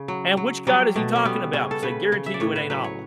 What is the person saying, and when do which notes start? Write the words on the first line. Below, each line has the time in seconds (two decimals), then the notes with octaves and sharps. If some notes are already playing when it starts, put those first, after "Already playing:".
and which God is he talking about, 'cause I guarantee you it ain't Allah.
Already playing: C#3
0.08 F#3
0.37 F#3
0.67 F#3 G3
0.96 B2 A3
1.16 C#4
1.25 G3 B3
1.53 C#3 C#4
1.71 A4
1.83 C#3 B4
2.12 C#3
2.26 E5
2.34 D5
2.40 A2 C#5
2.56 B4
2.70 F#3 B4
2.84 C#5